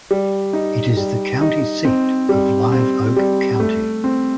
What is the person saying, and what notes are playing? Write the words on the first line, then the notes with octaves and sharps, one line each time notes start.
It is the county seat of Live Oak County.
G3
D#4
G3
D#4
C4
G3
C4
G3
A3
C4